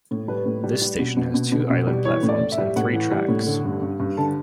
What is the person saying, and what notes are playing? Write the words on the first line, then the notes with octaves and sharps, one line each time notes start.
This station has two island platforms and three tracks.
A2
G3 B4
A2
G3
G3
B2
B2
B2
B2
B2
G3
E3 C#5
A2
D5
A2
E5
G3
A2 F#5
E3
G3
A2
D3
G2
G2
G2
D3 A5